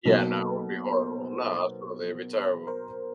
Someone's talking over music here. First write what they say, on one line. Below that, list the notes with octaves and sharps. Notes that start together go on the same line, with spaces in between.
Yeah, no, it would be horrible, no, absolutely, it'd be terrible.
B2 F#3 A#3 D#4 A4 B4
A#4 C5
A#4 C5